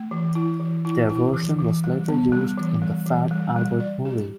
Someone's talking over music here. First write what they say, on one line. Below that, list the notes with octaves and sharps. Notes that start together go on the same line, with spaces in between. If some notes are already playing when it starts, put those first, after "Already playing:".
Their version was later used in the Fat Albert movie.
Already playing: A3
E3
E4
E3
E4
E4
E3
E3
G3
B3
G3
E3
G3
E3
G3
G3
D5
G4